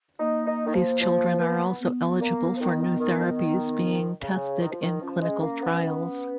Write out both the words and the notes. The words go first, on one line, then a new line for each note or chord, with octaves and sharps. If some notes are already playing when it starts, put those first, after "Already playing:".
These children are also eligible for new therapies being tested in clinical trials.
A#3 D#4
D#4
D#3
F3
F3
B3
B3
A#3
F3
D#3
D#3
D#3
D#3
C#3
D#3
F3
D#3
F3 C#4
G#3
A#3
B3
B3